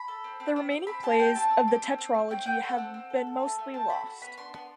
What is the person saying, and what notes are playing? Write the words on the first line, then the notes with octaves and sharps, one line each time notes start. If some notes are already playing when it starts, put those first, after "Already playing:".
The remaining plays of the tetralogy have been mostly lost.
Already playing: B5
A4
C4
C4
C4
C4
C4 B5
G4 A5
G4 G5
C4 A5
C4
G4
C4
C4
C4
C4 G5
F#4 G5
A4 F#5
C4
C4
A4
A4
A3
A3
C4 A5
A4 B5
F#4 B5
B3 B5
D4 C6
B3 C6